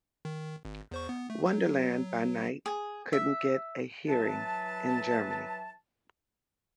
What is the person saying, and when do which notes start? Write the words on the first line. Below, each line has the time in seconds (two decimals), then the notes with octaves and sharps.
Wonderland by Night couldn't get a hearing in Germany.
0.25 D#3
0.65 G#1
0.91 E2 C5 C#6
1.09 B3
1.30 A3
1.46 F#3
2.66 G#4
3.13 E5
4.08 E3 F#3 B4 A5